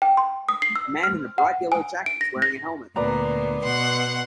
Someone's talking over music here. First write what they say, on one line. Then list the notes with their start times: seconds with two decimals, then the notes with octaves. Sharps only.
A man in a bright yellow jacket is wearing a helmet.
0.02 G5
0.17 C6
0.49 D#6
0.62 C7
0.76 E6
1.03 F6
1.38 F#5
1.72 G#5
2.06 D7
2.21 A#6
2.42 A#6
2.96 D2 A#2 B3 B4 D5 A#5
3.63 B2 F#5 C6